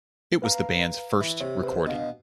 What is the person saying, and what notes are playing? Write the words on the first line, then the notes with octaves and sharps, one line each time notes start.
It was the band's first recording.
B4 F5 A#5
E3
C3 C#5
B4 C5
B2 D4 D#5 F5